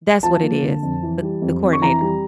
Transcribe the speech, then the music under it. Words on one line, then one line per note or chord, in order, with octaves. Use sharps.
That’s what it is, the the coordinator.
F3 A5
A#3
D3
F2
E3
G3
F2
F1
C#6
E3 A#5
G3